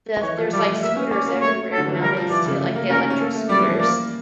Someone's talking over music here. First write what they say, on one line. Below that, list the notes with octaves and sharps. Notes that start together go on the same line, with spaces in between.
The there's, like, scooters everywhere nowadays too, like, the electric scooters.
E3 C#5
F3
G3 D5
A3
A#3 E5
C#4
C#4 D5
A#3
A3 C#5
A4
D3
E3
F3
G3 A#4
F3
E3 D5
C#3
A3
A#3
C#4 A#4
C#4
C#4
A#3 A4
A3
G3 D5
E3
F3
A#3 D5